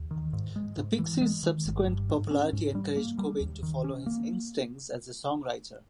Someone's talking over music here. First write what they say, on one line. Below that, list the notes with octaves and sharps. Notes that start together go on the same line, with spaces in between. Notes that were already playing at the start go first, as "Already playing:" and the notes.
The Pixies' subsequent popularity encouraged Cobain to follow his instincts as a songwriter.
Already playing: D#2
D#3
G#2
G#3
G#2
E3
G#3
D#3
G1
G2
G#2
C#4
G#2
G3
A#3
G3
D#2
D#3
C#4
A#3